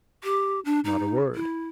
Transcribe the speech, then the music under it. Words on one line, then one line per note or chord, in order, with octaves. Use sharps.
"Not a word."
G4
D4
D#4
E4